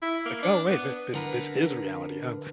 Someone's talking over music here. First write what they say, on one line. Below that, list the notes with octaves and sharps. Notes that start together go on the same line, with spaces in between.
Like, "Oh wait th this this is reality, huh?"
E4
A#3
D4
B3
D3 A#4 B4